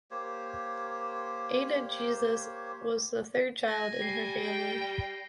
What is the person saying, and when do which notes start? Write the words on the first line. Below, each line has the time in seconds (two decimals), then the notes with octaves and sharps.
Ada Jesus was the third child in her family.
0.11 A#3 G4 C5 C#5
3.68 G#5 A#6
3.99 G3 A#6 C7
4.42 G5